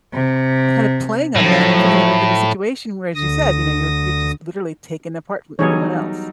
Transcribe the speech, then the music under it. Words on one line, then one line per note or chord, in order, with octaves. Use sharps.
kind of playing on that and putting you into the situation where- as you said- you know, you're you're just, literally, taken apart from everyone else.
C3
A2 F3 F#3
D2 D3 D#6 A#6
E3 F#3 G3 B3 D#4 G#4 C#5